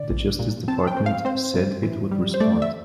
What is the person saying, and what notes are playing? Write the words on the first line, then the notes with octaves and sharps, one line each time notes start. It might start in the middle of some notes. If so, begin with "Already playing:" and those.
The Justice Department said it would respond.
Already playing: D3 D5
A#1
A#2
C4 A5
G5
C4
F5
C4 C5
G2
E3
G3
C5
A3 D5
E5